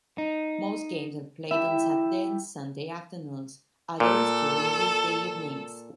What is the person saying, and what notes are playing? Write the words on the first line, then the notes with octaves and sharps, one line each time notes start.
Most games are played on Saturday and Sunday afternoons; others during weekday evenings.
D#4
E4 G4 A4 E5
A#2 A4